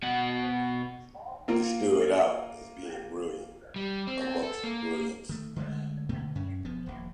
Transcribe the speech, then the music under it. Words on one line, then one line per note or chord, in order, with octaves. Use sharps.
It stood out as being brilliant amongst brilliance.
B2 F#5
A#3 F4 A#4
G3
C4
A4
A#3
D#3 A3
D3 G#3 A3
B2 D3 A3 A#3
F#2 C#4
E1 F3 B3
D#1 A#1